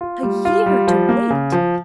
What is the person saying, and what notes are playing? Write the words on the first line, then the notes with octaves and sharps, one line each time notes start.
A year to wait!
F4
G3
F4
G3
F3
A#3
C#3
F3